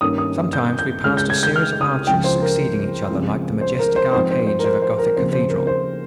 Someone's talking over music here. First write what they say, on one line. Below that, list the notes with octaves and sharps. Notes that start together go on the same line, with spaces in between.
Sometimes we passed a series of arches succeeding each other like the majestic arcades of a gothic cathedral.
G2 D#3 A#3 C#4 D#6
D#6
G6
G6
C#2 C#3 G#3 C#4 F6
G6
G#6
G6
F6
D#6
C#2 C#3 F3 G5
C5
A#4
C#2 C#3 F3 C4
C5
A#4
C5
G#2 F3 C4 C5
C5
C5
A#4
C5
C5
A#4
D#2 C#3 F3 C4 C5
C5
A#4
C5